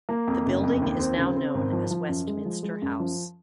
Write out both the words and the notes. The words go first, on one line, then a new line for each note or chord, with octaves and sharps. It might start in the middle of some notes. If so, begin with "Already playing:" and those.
The building is now known as Westminster House.
A#3
F2
F#1
F2
D#2
C4
C#3
C4
G#1
F3
F3
F#2
G#3
F3
G#3
F#2
F3